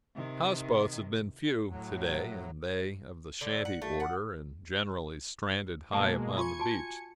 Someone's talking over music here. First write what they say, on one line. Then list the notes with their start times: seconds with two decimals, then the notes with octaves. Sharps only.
Houseboats have been few, to-day, and they of the shanty order and generally stranded high upon the beach.
0.16 C3 D#3
1.70 A2 F#3
3.41 D3
3.65 F#5
3.82 A3
4.00 F#5
5.92 B2 G#3 A#3 F5 G5 A5
6.37 F4 G#5 C6 C#6 G#6 C#7
6.59 F#4 A5